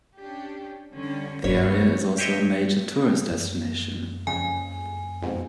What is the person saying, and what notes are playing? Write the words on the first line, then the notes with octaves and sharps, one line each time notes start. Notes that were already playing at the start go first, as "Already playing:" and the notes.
The area is also a major tourist destination.
C#4 D4 G4
D3 G3 C#4
G2 A#3 B3 B4 C#5
G4 C5 C#5 D#5 E5 G5
F#2 G#3 A#3
F2 C#3 G#5
F2 G#2 B2